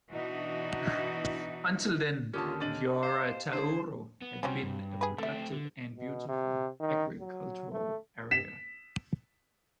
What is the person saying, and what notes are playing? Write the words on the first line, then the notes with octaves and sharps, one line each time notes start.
Until then Gioia Tauro had been a productive and beautiful agricultural area.
B2 E3 D4 D#4 F#4
D#2 D3 C#4 F4 G4 A#4 A5 D#6
C4 D4 G4 D#5 A6 D#7 F#7
C5 F5 E7
D4 E4 G#4 C5
B3
C3 F#3 G3 C4 C#4
G2
G#4 B4
A3 C4 A4 E5
D3
B2
C3
D#3
F#3
A3
B6 E7